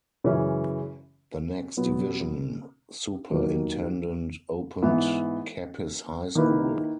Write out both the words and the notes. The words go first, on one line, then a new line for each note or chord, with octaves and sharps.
The next division superintendent opened Capiz High School.
F#2 C#3 E3 G#3 C#4
B2 F#3 B3
D#2 D#3 F#3 A#3
G#2 E3 B3
D#3 A#3 E4 B4